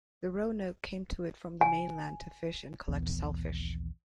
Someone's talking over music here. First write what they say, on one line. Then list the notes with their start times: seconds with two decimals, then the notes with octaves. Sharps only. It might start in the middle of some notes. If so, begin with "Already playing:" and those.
The Roanoke came to it from the mainland to fish and collect shellfish.
1.61 G#5
2.88 A#1 D#2 E3 B3